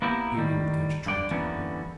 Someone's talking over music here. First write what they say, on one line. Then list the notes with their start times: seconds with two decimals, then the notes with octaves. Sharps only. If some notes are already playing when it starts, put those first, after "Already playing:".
Here we would catch a train to New York.
0.02 A#3 B3 E4 G4 A#4
0.37 A2 D#3 G3
1.06 G2 D3 D5 G5
1.31 D3 E3 G3 A#3 B3 C#4